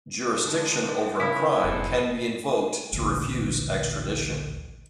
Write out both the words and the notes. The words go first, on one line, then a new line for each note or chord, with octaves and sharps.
Jurisdiction over a crime can be invoked to refuse extradition.
D3 G#3 D4 D#4
C#3 E4
F1 G#2 B3 G#4 A4 C5
A1 D2 A#2